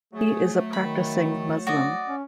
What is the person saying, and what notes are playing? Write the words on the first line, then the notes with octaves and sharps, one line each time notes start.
He is a practising Muslim.
F#3 A3 G#4
D#3 B5
F#4 D5 D#5
C#4